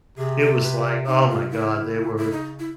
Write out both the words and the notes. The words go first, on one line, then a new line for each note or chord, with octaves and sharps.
it was like oh my god, they were
C3 G#4
A4
B4
D#4
F4
C#3 E4
E4
D#4
E4